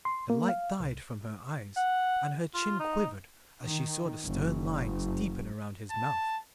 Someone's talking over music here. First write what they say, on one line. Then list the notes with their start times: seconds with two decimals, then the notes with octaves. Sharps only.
The light died from her eyes and her chin quivered as she saw the stern lines deepen around his mouth.
0.05 C6
0.30 A#3
0.49 F5
0.80 C2
1.77 F#5
2.54 F4
2.80 D#4
3.63 D#3
4.25 F#1
5.91 A5